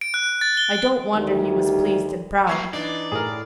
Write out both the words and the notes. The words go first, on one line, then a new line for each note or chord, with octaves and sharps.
I don't wonder he was pleased and proud.
D7
F#6
A6
G7
D2 D#3 G3
F#3 A#3 C#6 G#6 C7
E3 D4 D#4 D5
A2 G#4 A#4